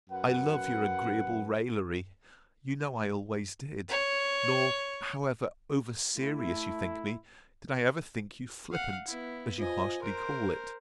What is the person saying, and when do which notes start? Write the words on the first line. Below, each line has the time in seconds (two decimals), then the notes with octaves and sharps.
I love your agreeable raillery: you know I always did: nor, however over-serious you think me, did I ever think you flippant, as you harshly call it.
0.10 F#2 B4 F#5
3.90 C#5
6.16 A3 E4
8.72 F5 F#5
9.07 B3 E4
9.58 F4 C5 D#5 G#5
10.02 A#4 C5 C6 F#6 D7